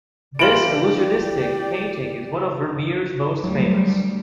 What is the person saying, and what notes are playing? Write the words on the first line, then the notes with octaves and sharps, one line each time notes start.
This illusionistic painting is one of Vermeer's most famous.
E3 F4 G4 D5 D7 F#7
D2 F#3 G3